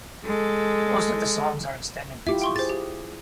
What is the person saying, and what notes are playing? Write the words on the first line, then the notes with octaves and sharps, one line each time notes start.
Most of the songs are extended mixes.
G#3 A4
E4 F4 G4 E5 D6
G5 C6 C#6
G#4 C5 A6
G4